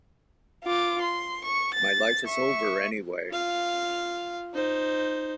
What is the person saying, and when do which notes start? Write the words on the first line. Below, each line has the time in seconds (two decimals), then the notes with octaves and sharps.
My life is over anyway.
0.64 F4 D6
1.02 C6
1.44 C#6
1.74 A6
2.26 E5 C#6
3.32 F4 F5
4.54 D#4 C5